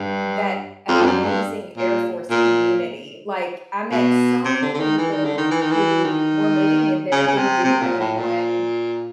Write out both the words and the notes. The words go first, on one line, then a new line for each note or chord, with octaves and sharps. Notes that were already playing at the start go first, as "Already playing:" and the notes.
that amazing Air Force community, like, I met so many people who were moving in there who didn't know anyone,
Already playing: G2
F2
G2
F#2
G2
A#2
A#2
B2
C3
D3
D3
D#3
E3
D#3
D3
D#3
E3
D#3
E3
D#3
C#3
C#3
C3
C3
A#2
A2
A#2